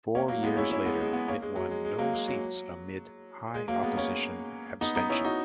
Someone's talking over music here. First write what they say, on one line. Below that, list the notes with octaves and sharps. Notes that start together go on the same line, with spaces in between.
Four years later, it won no seats amid high opposition abstention.
A#3 C#4
F#3 A#3
G#3 B3
C#4 E4
C#4 E4
G#3 B3
G#3
G#3 B3
A#3 C#4
G#3
F#3
G#3
G#3
F#3 A#3
G#3
F#3
G#3
F#3 A#3
G#3 B3
A#3 C#4
B3 D#4
B3 D#4
C#4 E4
D#4 F#4